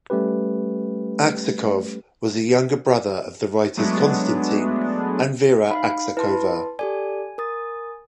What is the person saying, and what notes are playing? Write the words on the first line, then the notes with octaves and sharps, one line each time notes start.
Aksakov was a younger brother of the writers Konstatin and Vera Aksakova.
G3 A3 C#4 G4 B4
F#3 G#3 A3 B3 D4
D#4 F5 B5
E4 B4 A5 C6
G4 A4 D5 G#5
A#4 D#6 A6